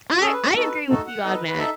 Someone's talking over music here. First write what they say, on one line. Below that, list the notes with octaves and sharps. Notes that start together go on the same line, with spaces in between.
I I agree with you on that,
C#4 G#4 A4
B4
B3 D#4 F#4 A4
B4
A3 D#4 F#4 A4
F#5
B3 D#4 A4 D#5
B4
B4
D#4 A4 E5